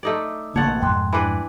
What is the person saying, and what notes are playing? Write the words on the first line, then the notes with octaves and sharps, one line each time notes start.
But, um
A3 D#4 D5
A1 A#3 C#5 F#5 A5 A6
F2 G#2 G5 C6 F#6
E3 D4 B4 B5